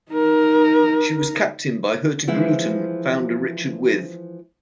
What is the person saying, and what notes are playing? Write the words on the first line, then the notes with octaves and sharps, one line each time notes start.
She was captained by Hurtigruten founder Richard With.
D#4 A#4
E3 F3 G#3 E4